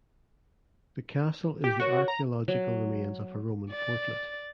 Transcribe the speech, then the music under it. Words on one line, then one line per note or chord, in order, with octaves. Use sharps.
The castle is the archaeological remains of an Roman fortlet.
G4
F#4 A#4 C#5 F#5
A#5
F#3
D5 A6